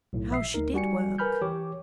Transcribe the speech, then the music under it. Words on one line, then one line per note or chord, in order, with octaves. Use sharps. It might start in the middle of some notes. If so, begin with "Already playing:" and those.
How she did work!
B1 A2
A#1 E5 C7
D2 D#4 A#4
G3 F#4 G#5 C#7
A#4 B4 G#5 B5 F6 G6
E3 G4 C#5 D6